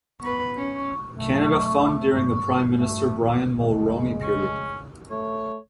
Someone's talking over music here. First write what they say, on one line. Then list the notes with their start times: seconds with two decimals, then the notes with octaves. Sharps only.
Canada Fund during the Prime Minister Brian Mulroney period.
0.20 B3 B4
0.57 C#4
1.12 B1 F#2 D3 A3
2.04 G#1 G2
2.73 G2 A3
3.58 F1 C2 C#3 G#3
4.23 C#4
5.10 A3 C#5